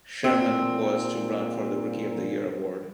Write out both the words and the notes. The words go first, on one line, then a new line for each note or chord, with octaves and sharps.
Sherman was to run for the Rookie of the Year award.
A#2 C4